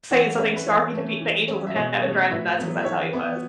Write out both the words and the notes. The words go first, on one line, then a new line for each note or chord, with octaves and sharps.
saying something snarky to p the angels in heaven, driving them nuts, 'cause that's how he was.
E3 C#5 F#5
C#4 B4 E5
B4
E3 C#5
A3 C#4
E3
C#4
E5
B2 C#5
A3 C#4 C#5
A2 B4 E5
F#3 B3 B4
E5
E3 C#5
B3